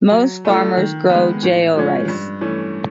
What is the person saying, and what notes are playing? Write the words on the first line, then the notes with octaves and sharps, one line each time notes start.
Most farmers grow Jao rice.
F#3
A3 D4 F4 A4
D#3
B3
G#3
A2
F3 G#3 C#4
G2
E3 A3 C#4